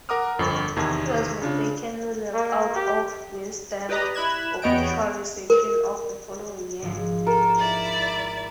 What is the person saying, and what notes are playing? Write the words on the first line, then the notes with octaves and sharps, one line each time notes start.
He was mistakenly left out of "Wisden"'s obituary section the following year.
A#4 F#5 A#5 D6 D#6 F6
G1 F2 D3 C4 C#6 A6
E2 C3 D#3 A5 G#6
C#3 D4 F4
A#3
G4
G4 B4 D5 D#5 A#5 D#6
E4 B5 F#6 G#6 E7
E2 B3 C#5 D#5 G5 D7
A#4
G#1 F3 G#4
A4 A#4
E4 D5